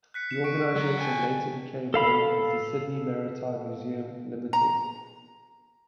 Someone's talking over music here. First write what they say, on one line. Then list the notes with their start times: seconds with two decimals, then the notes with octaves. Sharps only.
The organisation later became known as the "Sydney Maritime Museum Ltd".
0.14 F#6 B6 C#7
0.31 C#7 E7
0.44 C#6 D7
0.75 F#3
0.98 G5 G#5
1.94 A4 F5 B5
4.53 A#5